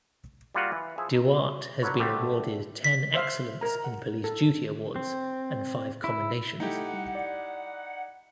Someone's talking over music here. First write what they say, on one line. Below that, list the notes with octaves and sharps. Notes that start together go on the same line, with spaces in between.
Duarte has been awarded ten Excellence in Police Duty awards and five commendations.
G3 A#3 F4 F#4 F#5
E3
F3 G#4 E5
D#4
D3 F#3 A#4 B4 C#5
D3 G3 A3 C4
B6
C5 E5 F5
A#4 A#5
F#5
A4
C4
E4
A3 D#4 E4 G4 A4 F#5
G3
D5